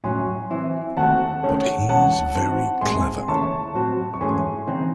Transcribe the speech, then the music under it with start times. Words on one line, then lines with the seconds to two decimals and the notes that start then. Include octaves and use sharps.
But he's very clever...
0.04 A2 F#3 C#4 G#5 C6
0.51 E3 C4 E4
0.96 D#2 D#3 A3 C4 F#4 F#5 A5
1.43 D#3 A3 C#4 G#4 C#5
1.89 E3 G#3 C#4 G#4 F#5 A5
2.35 E3 C4 D#4 F#4 C5
2.81 A2 G#3 C4 D#4 G#4 G#5 C6
3.28 D#2 C#3 E3 A3 C#4 A5 C#6
3.74 A2 F#3 C4 F#4 C5
4.14 C#6
4.21 G#2 E3 A3 C#4 G#4 G#5 C6
4.67 C#3 E3 C4 D#4